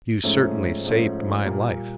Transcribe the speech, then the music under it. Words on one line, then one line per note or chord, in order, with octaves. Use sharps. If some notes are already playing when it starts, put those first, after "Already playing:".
You certainly saved my life.
G#2 F3 A3 C#4
G#2 F3 A3 C#4
A#2 G3 A#3